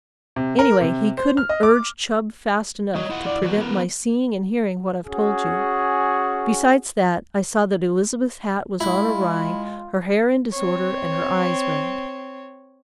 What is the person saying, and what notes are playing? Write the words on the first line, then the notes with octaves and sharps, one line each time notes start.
Anyway, he couldn't urge Chub fast enough to prevent my seeing and hearing what I've told you. Besides that, I saw that Elizabeth's hat was on awry, her hair in disorder, and her eyes red.
C3
A#4
C3
C5
F6
D#5
D6
G3 F#4 C#5 D#5
E4 F4 F#5
D5
E3 F#3 F#4
E3 B3 A#4
C#4 F#4 G#4
G#3 E4 F4 B5
C4 C#5